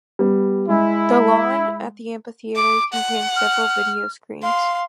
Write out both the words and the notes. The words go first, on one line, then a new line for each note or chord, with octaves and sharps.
The lawn at the amphitheater contains several video screens.
G3 B3
G#3 E4
D6
F#5
F6
F5 C6